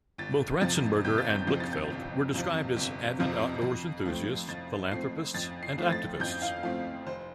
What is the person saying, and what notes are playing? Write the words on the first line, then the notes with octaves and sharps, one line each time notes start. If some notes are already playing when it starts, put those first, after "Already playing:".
Both Ratzenberger and Blichfeldt were described as "avid outdoors enthusiasts, philanthropists, and activists".
G1 A6
F2 C3 F3 A6
G1 G6
A6
G6
F2 C3 F3 G6
A6
G6
G1
F2 C3 F3
G1
F2 C3 F3
F2
F3 A3 C4
F2 A6
F3 A3 C4 C7
F2 A6
C7
F3 A3 C4
A6
F2 G6
F5
F3 A3 C4 F5
F1 C5